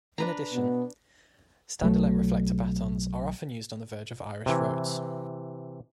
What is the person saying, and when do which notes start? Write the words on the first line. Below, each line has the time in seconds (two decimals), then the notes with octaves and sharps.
In addition, standalone reflector batons are often used on the verge of Irish roads.
0.18 D4 B4 A#5
0.52 B2 B3
1.82 B1 F#3 A3
4.46 C3 E3